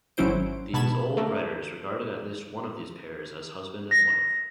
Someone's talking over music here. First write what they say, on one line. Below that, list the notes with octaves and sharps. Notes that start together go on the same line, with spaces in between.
These old writers regarded at least one of these pairs as husband and wife.
G#1 F#3 C#4 E4 C5 D7
B2 A5 B5 G#6 E7
A3 A#3
A#6